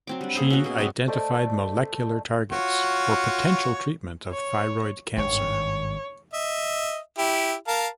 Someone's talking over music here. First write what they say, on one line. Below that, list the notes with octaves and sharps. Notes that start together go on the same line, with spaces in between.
She identified molecular targets for potential treatment of thyroid cancer.
F#3 C4 D6
G3 D4
A#3 G#4 A4 C5
C#4 F#4
B2 G#4
G#3 C4 A4 B5
A3 C5 D5 D#5
F4 F#4 C#5
C#5
G#1 G2 D#3 C#5
D#5 E5
E4 G4
A#4 F5 A5